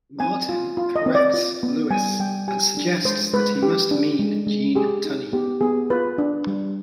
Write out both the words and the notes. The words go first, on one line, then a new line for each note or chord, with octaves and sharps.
Martin corrects Lewis and suggests that he must mean Gene Tunney.
C4 G#5
F4
F4
D#5
C4
D5
F4
B3
G3 G#5
G3 G5
G4 G#5
D4
G#3 C5
G#3 B4
G4
D4
G#3
G#3
G4 G#4
D#4
B3 G4
B3 G#4
F4 B4
D4
G3